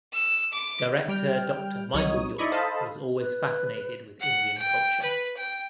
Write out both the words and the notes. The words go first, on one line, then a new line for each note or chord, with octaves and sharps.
Director Doctor Michael Yorke was always fascinated with Indian culture.
E6
D6
G3 G5 F6
C2 F#3 D#4 C#5 D#6
D#4 E4 D5 D#5 B5 C#6
A4 C5 D#5 F5 A5 B5
B4
F#5
G5
B4
G5